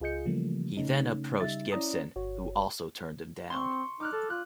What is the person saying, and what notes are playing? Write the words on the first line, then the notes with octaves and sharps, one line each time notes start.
He then approached Gibson, who also turned him down.
C#2 F4 G#4 D#5 G6 C#7
C#3 E3 F3 G3 A3 A#3
C#3 A3 C#4 D#4
C#3 G3 D#4 E5 A6
C#4 E4 D5 A#5 D#6
G1 F#4 C#5
C4 C6 C#6
D#4 D6 F6 F#6
A4
F4 F#6